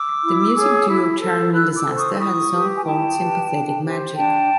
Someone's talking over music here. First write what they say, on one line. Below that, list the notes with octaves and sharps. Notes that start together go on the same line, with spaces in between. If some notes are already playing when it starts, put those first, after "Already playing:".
The music duo Charming Disaster has a song called "Sympathetic Magic".
Already playing: D6 E6
E4
G#4 C#5
E4
A4 C5
E4 E6 F#6
D6 E6
A4 C5
C#6 D#6
E6
E4 C#6 D#6
G4 B4
G#5
E4 G5 A5
G4 B4
D4
G4 C5
D4 G5 A5